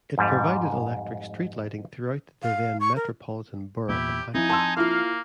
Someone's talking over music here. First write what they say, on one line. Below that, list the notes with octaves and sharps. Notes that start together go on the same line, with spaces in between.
It provided electric street lighting throughout the then Metropolitan Borough of Hackney.
F2 G#2 G3
F5
C#6
A#4
E2 A#2 E4 G4
F3 C4 D#4 E4 G#5
A5 C6 E6
A#3 E4 F4 F5